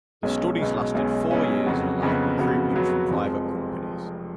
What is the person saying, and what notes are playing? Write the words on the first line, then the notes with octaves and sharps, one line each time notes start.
The studies lasted four years and allowed recruitment from private companies.
B1 B2 G#3 C#4
B1 B2 G#3 C#4
B1 B2 G#3 C#4
B1 B2 G#3 C#4
F2 C#3 F#3 B3 F#4
F2 C#3 F#3 B3 F#4
F2 C#3 F#3 B3 F#4
F2 C#3 F#3 B3 F#4
F1 F2 F3 G#3